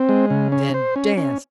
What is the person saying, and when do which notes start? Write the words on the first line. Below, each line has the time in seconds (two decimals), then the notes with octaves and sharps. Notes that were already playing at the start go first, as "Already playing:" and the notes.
Then dance!
Already playing: C4
0.09 G#3
0.30 C#3
0.52 C#4
0.74 C5
0.96 C#4
1.17 C#4